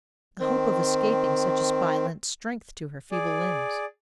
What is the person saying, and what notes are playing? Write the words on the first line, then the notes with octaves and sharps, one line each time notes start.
The hope of escaping such a spy lent strength to her feeble limbs.
D#3 C4
G#4 D5